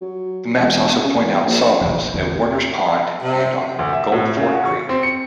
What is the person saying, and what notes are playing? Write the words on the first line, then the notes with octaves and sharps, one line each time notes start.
The maps also point out sawmills at Warner's Pond and on Gold Fork Creek.
F#3
E1
C#3
E2
A#1
F1 B1 E2
A#1
A1 E2 D3 B3
C3
D2
E5
A2
C#3
F#4
C#6
C4
C#7